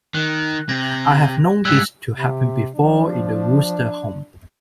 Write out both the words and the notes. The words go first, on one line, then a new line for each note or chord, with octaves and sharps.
I have known this to happen before in the Wooster home.
D#3 F#6
C3 G#6 A#6
G#2 G3 E6 F#6 G#6
C3
F3 D4